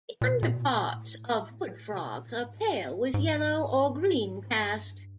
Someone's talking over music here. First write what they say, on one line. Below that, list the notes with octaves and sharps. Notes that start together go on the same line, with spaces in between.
The underparts of wood frogs are pale with a yellow or green cast.
A#2
B2
A#2
B2
A#2
A2
C3
B2
A#2
A2
G#2
G#2
G2